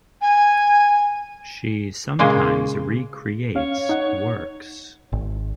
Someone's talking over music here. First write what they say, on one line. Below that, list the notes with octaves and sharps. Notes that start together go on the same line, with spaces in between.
She sometimes re-creates works.
G#5
A#2 C#3 G#3 A#3
C#4 C#5 F5
D#4 F#5
G#1